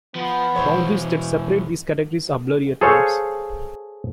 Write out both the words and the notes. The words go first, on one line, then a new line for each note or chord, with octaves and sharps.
Boundaries that separate these categories are blurry at times.
F3 B3
E2 B2 C5 C#5
E3
G#4 A4 C5 C#5 F5